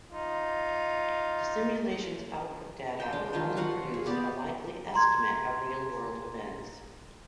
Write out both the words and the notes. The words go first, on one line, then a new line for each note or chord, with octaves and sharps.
The simulation's output data will only produce a likely "estimate" of real-world events.
D#4 F4
G5 C6
G#3 D4
D#3 F4 C5
F4 F#4 F5 F#5
G#4
B3 G4 D5
A#5 C6 G#6